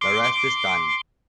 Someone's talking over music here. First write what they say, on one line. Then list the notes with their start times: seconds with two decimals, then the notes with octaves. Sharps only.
The rest is done.
0.01 C6 D6